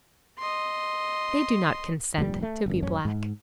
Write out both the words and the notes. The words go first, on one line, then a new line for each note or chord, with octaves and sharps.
They do not consent to be black.
D#5 C6
F1 A#1 G2 G3
A3
G1 F#2
A1 F#2 C#4
G#2